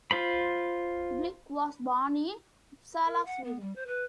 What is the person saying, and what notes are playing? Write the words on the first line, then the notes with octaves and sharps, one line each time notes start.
Blix was born in Uppsala, Sweden.
F4 C5 B5
A#4
F#5
B3
G3
C5
B4